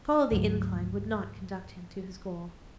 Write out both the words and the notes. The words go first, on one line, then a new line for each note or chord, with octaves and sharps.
To follow the incline would not conduct him to his goal.
D2 G#2 F#3